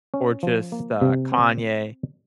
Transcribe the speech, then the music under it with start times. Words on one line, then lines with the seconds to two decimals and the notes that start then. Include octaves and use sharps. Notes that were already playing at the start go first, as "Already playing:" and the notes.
or just, uh, Kanye.
0.14 C#4
0.43 F3
0.72 A#3
1.01 C3
1.32 C4